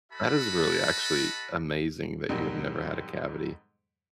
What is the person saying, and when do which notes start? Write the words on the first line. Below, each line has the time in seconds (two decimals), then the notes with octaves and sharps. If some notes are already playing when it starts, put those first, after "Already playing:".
That is really actually amazing that you have never had a cavity,
0.12 F#4 A4 D#5 F#5 A5 B5
2.29 F2 G#2 B2 D#3 F#3 G3